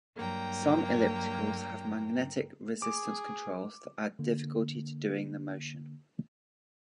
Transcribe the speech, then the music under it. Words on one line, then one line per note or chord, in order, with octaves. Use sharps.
Some ellipticals have magnetic resistance controls that add difficulty to doing the motion.
G2 F#3 A#3 G5 A#5
G#4 D6
D3 A#3